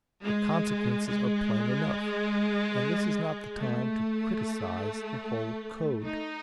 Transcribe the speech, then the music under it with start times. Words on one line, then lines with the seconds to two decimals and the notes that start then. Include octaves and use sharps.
The consequences are plain enough, and this is not the time to criticise the whole Code.
0.23 G#3
1.07 G#3
3.56 A3
6.06 D#4